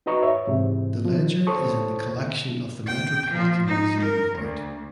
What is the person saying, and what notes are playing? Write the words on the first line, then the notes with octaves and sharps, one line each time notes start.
The ledger is in the collection of the Metropolitan Museum of Art.
D#4 F#4 B4 D#5 A#5 C#6
C#5 E5
G#2 C3 E3
F3
A4 C5 C#5 A5 C#6 D#6
G5
F3
D#4
A#4
D2